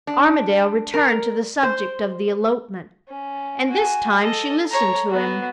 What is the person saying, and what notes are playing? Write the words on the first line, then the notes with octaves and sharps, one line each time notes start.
Armadale returned to the subject of the elopement; and this time she listened to him.
D4
A#4
C5
C#4
F#4 G#5
A4 D#5
C#5 A#5
B3 F#4